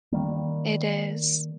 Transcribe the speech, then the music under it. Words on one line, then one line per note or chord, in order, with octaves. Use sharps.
It is.
D#3 F#3 G3 A#3